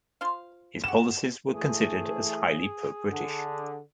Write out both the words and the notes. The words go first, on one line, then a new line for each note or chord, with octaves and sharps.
His policies were considered as highly pro-British.
F4 C5 F5
F#4 G4 E7
E3 A3 G#4
D3